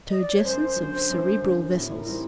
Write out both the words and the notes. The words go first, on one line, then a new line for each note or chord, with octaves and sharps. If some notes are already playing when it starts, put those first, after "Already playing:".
Turgescence of cerebral vessels.
D#5
D5
C#5
F#2 C5
D3 F#3
F#2
D3 F#3
A2
A#4
E3 G3 C4 D#4